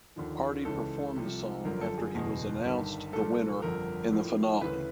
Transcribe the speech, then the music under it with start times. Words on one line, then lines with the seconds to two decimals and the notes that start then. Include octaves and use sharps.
Hardy performed the song after he was announced the winner in the finale.
0.16 D#2 D3 F3
0.65 C#2 C#3 E3 A4
1.16 C2 C3 F3
1.64 G1 F#2 D3 F3 A#4
1.81 A4
1.98 G#4
2.14 F#1 E2 B2
2.64 G1 G2 D#3
3.13 C2 A#2 F3 A4
3.62 G1 F2 D3 F3 A#4
4.12 A#1 A2 F3
4.61 D2 C#3 E3 B4